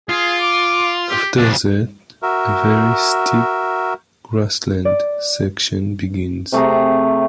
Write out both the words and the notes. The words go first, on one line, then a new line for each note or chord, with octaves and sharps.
After that, a very steep grassland section begins.
F4 G#4
D6
G4
F2 C#3 D4
F#4 A#4 E5
D5
C3 A3 G#4 A#5